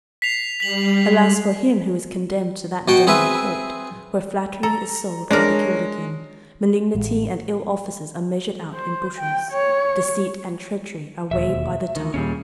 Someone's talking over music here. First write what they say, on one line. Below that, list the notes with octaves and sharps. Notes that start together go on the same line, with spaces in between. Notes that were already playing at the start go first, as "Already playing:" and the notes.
Alas for him who is condemned to that den the Court, where flattery is sold by the kilderkin, malignity and ill-offices are measured out in bushels, deceit and treachery are weighed by the ton!
B6 C7 F7
G3 B6 F#7
B2 F#4 G5
C4 G#4 B4 E5
A4 A#5
G#3 D4 A#4 C#5
A1
C5
G5
C#5
E1 D#2 E5
D2 D#3
D#2 A#2 G3 C#4 G#4